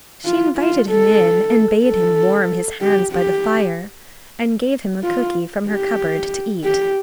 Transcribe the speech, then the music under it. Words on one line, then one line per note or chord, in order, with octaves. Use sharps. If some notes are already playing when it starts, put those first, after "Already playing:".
She invited him in, and bade him warm his hands by the fire, and gave him a cooky from her cupboard to eat.
F4
F4
A4
A4
G4
G4
F4
G4
G4